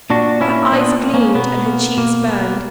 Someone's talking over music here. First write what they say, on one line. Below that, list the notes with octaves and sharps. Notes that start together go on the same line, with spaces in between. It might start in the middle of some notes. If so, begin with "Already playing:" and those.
Her eyes gleamed and her cheeks burned.
A#2 D4 F#4
A#3 C#4 E4
A#2 B3 D4
A#3
A#3 C#4
B2 B3
A#3
B2 A#3
A#3 B3